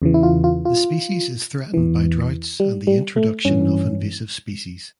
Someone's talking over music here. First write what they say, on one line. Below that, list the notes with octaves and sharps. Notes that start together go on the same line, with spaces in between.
The species is threatened by droughts and the introduction of invasive species.
E2 C#3 E3
E4
F4
F4
F4
E2 E3
G3
G3
A3
G2 E3 C#4